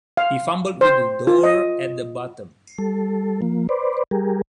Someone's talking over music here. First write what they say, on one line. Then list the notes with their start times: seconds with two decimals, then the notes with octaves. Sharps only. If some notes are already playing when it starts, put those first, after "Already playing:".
He fumbled with the door at the bottom.
0.17 F5
0.81 C5
1.27 F4
1.43 D#5
2.78 G3 A4
3.42 F3 A#3
3.69 B4 C5 D5
4.11 G3 G4 G#4 A#4